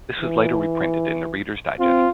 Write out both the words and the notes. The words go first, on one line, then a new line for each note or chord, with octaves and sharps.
This was later reprinted in "the Reader's Digest".
E3
C4 F4